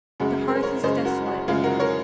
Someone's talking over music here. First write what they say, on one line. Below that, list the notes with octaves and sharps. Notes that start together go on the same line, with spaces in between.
The hearth is desolate.
F#2 C#3 G#3 F#4
G#4
A#4
C5
A#4 C#5
F#2 C#3 G#3 C5 D#5
F#4 A#4
F#4
F#2 C#3 G#3 F4 G#4
F#4 A#4
A#4 C#5